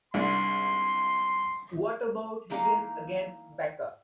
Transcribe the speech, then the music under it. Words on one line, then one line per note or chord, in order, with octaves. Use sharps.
What about Higgins against Becca?
C2 G#2 D4 C6
E3 A#3 D#4 F5 A#5